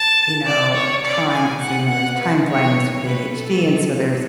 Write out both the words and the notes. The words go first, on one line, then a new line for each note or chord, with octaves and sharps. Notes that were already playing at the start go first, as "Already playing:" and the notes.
you know, time, 'cause they know there's time blindness with ADHD, and so there's
Already playing: A5
D5
C#5
D5
G#5
F#5
F#5
B4
C#5
B4
A4